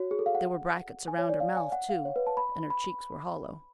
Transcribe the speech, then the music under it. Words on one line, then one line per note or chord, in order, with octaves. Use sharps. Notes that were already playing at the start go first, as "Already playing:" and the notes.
There were brackets around her mouth too, and her cheeks were hollow.
Already playing: F#4 C#5
G#4
A4
F5
F#5
G#5
C#5
D5
F5
G#5
F#5
F5
C#5
B4
A5
B5
B5